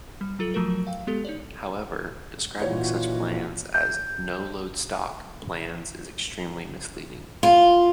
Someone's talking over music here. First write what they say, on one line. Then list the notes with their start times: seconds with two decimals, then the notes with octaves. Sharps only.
However, describing such plans as "no-load stock" plans is extremely misleading.
0.21 G3
0.39 F#3 F4 A4 F#7 G7
0.54 F3 F#3 A3 F#4 A#4
0.87 F5 G5
1.07 G#3 B3 G4 A4
1.25 D#4 C#5 D5
2.62 A#2 E3 D#4 F4 F#4 C#5
3.74 G6
7.43 F4